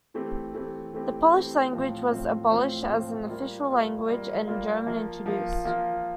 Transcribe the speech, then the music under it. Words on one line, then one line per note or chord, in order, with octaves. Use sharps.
The Polish language was abolished as an official language and German introduced.
E3 A3 C4 G4
E3 A3 C4 G4
E3 A3 C4 G4
E3 A3 C4 G4
A2 F3 C4 F4 C5
A2 F3 C4 F4 C5
A2 F3 C4 F4 C5
A2 F3 C4 F4 C5
G3 A#3 F4
G3 A#3 F4
G3 A#3 F4
G3 A#3 F4
F3 A#3 F4
F3 A#3 F4
F3 A#3 F4